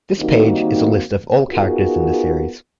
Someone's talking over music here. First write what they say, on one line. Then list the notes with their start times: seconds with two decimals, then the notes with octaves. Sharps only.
This page is a list of all characters in the series.
0.18 D#3 G3 A#3 C4 D#4 F#4
1.50 B3 D#4 F4 F#4 G#4 A#4